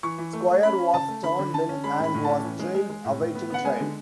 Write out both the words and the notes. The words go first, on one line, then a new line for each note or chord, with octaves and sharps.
Squier was turned in and was jailed awaiting trial.
E3 C#6
E3
A3
A3
C#4 B5
C#4
C#3 A5
A3
D3 B5
D3
D3 A5
C#4
G#3 B5
A2 B5
A2
C#4 A5
E3
G#3
G#3
G#3
A2
A2
B3
B3 F#5
G#3 G#5
D3